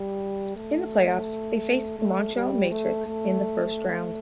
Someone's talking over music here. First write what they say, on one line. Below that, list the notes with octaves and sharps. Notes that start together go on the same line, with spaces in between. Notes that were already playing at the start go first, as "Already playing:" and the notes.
In the playoffs, they faced the Montreal Matrix in the first round.
Already playing: G3
A3
A3
G3
A3
A3